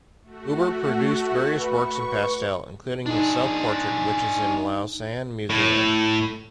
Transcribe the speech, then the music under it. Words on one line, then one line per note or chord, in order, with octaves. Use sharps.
Huber produced various works in pastel, including his self-portrait which is in Lausanne museum.
A3 F#4
B4 C#6
D4 D#4 G#4
A2